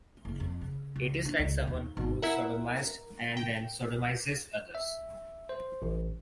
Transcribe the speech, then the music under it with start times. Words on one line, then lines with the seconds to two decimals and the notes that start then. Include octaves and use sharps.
It is like someone who is sodomised and then sodomises others.
0.25 F#1
0.40 F2
0.61 C#3
0.96 C#2
1.25 D4
1.39 C#2
1.67 D#2
1.97 G#1
2.22 E4 A#4 E5 F#5
3.37 G5
4.75 E5
5.49 C5
5.82 A1